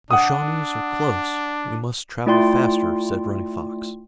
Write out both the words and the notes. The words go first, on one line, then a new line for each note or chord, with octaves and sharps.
"The Shawnees are close, we must travel faster," said Running Fox.
D4 F#5 D#6
A3 E4 F4 D5 G5 C6